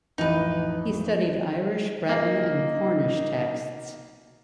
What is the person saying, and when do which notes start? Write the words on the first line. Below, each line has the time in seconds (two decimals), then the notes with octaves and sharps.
He studied Irish, Breton and Cornish texts.
0.18 A1 F2 D#4 B4
2.09 A#3 D#4